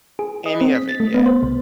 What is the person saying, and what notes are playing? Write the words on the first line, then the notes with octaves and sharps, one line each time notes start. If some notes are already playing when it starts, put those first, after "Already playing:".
any of it yet,
G#4
D#5
C4
B6
A6
A3
B3
C5
C2